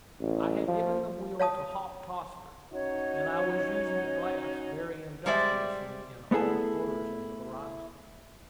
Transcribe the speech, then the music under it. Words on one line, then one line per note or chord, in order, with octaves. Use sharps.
I had given the wheel to Hop Tossford, and I was using the glass very industriously in all quarters of the horizon.
A1
F3
C#5 F5 A5 D#6
C#4 D#4 F#4 C#5
G3 G#3 C5 D5 E5
A3 B3 E4 G#4 A4